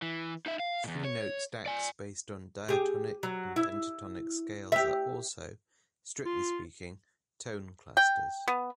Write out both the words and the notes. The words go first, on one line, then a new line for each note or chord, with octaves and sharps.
Three-note stacks based on diatonic and pentatonic scales are also, strictly speaking, tone clusters.
E3
D#4 E5
F5
E2 A#2
C#5
D5 G#5
G4 G#4
F#3
E4
G4 E5
F4
G5
B3